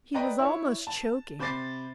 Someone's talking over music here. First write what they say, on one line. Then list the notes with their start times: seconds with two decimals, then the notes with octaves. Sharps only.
He was almost choking.
0.14 B4 D5 D#5 G5 A#5 B5
0.38 E4 C#5
0.87 A5
1.39 C3 C5 B5 D6 A6 C7